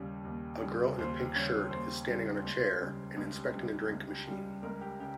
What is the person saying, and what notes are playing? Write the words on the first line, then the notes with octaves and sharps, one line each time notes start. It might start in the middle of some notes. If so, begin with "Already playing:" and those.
A girl in a pink shirt is standing on a chair and inspecting a drink machine.
Already playing: D#2 C#3 G3
D#2
C#3 G3
D#2 C5
C#3 G3 C#5
D#2 C5
C#3 G3
C#2
C#3 G3
C#2
C#3 G3
C#2
C#3 G3
C#2 A#4
G4
C#3 G4